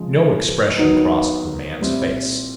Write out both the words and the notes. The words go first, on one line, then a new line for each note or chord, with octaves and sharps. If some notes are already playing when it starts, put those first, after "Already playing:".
No expression crossed the man's face.
Already playing: C#3 F3 G#3
D#3 F#3 B3 D#4
A#2 G3 C4 E4